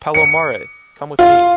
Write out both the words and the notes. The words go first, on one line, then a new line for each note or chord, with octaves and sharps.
Palomares, come with me.
C#7
F4